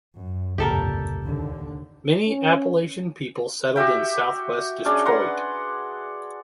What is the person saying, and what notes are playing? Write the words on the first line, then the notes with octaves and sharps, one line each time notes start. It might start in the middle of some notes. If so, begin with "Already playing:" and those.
Many Appalachian people settled in southwest Detroit.
F#2
F1 C#2 G2 A#2 G4 A4 A#4
D#2 D3
C#4
F#4 G4 E5 G5
C#4 D4 G#4 D5
B4 F#5 A#5 C6